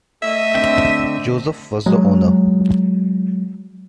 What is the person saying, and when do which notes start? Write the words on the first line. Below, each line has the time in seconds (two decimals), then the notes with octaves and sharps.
Joseph was the Owner.
0.22 A3 D#5 E5
0.54 D3 C4 G5
1.86 F#3 G#3